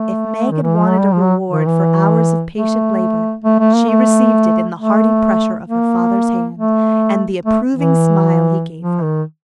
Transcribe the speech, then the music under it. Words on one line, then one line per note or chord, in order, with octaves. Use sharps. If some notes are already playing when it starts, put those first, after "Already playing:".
If Meg had wanted a reward for hours of patient labor, she received it in the hearty pressure of her father's hand and the approving smile he gave her.
Already playing: A3
D#3
E3
F3
F#3
G3
F3
F#3
D#3
E3
A3
A3
A3
A#3
A3
A3
A#3
A3
A3
E3
F3
D#3